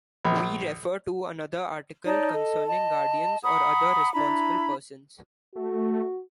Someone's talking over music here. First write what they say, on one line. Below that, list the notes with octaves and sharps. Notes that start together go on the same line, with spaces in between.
We refer to another article concerning guardians or other responsible persons.
A#1
D#4 C#5 D5 A5
A4 D#5
D#5 A5
F#5 A#5 B5 D#6
D4 E4 A#5 B5
A3 F#4